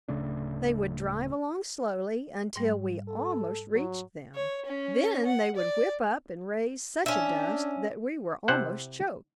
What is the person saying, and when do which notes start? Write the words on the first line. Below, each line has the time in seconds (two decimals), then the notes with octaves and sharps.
They would drive along slowly until we almost reached them; then they would whip up and raise such a dust that we were almost choked.
0.08 D1 C#3 A3 D4
2.56 G#2 G3
3.08 A4
3.75 F#3
4.34 C#5
4.66 C#4
5.25 F#5
5.56 D5
7.06 C#4 D4 E5
8.48 C3 E4 C5 F#5